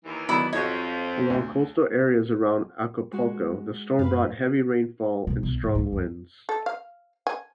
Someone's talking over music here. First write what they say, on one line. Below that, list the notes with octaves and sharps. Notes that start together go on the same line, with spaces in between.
Along coastal areas around Acapulco, the storm brought heavy rainfall and strong winds.
D#2 E3
D#3 F#3 B3 E4 D5
F2 D#4 F#4 C#5
D2
G#3 F#4
F#2 B4 F5
B2
B1
G#2
D3
F#2
A4
F5
G#5